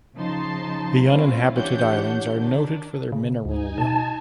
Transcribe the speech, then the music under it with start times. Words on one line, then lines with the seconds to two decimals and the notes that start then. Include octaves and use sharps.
The uninhabited islands are noted for their mineral wealth.
0.16 C#3 F3 D#4 A5 C6
1.02 G#3 C4 C#4 E4 F4
1.55 E3 D4 G4 C#5 F#5 G6
2.39 D#3 D4
3.12 C#3
3.45 D2 D#4 G#5
3.78 B2 A5